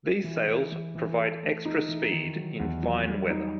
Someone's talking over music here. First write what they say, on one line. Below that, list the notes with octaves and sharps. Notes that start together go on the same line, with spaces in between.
These sails provide extra speed in fine weather.
E3
E3
E3
E3
A4
A3
D#4
E3
D#3
F#3
E2
F#3
G3
D#4